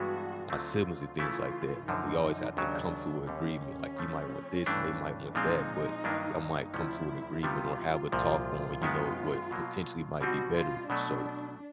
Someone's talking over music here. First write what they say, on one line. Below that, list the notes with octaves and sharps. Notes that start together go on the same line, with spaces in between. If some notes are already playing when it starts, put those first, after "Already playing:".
my siblings and things like that. Like, we always have to come to a agreement. Like, you might want this and they might want that, but y'all might come to an agreement or have a talk on, you know, what potentially might be better. So
Already playing: G2 E3 G#3 B3 F#4
D2 D3 F#3 A3 C4 F4
C#3 E3 A3 C#4 E4 F4
F#2 D3 F3 D#4
D#2 C#3 F#3 D4
D#2 D3 G3 C#4
C#3 F3 A3
G2 E3 A3 D4
A#2 F3 G#3 C4 D#4
G2 D#3 F#3 A#3 D4
D2 C3 F3 A3 C#4 E4
C3 D#3 G3 B3 F4
C2 A#2 F3 F4
F#2 D#3 G#3 B3
B2 F#3 A#3
B2 G3 C4 D#4 F#4
F4
B2 F#3 A3 D4